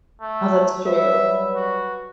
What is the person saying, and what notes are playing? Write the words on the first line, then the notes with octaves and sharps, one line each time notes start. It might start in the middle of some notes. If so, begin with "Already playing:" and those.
Oh, that's true.
A3
F#3 G3 B4 E5
F#4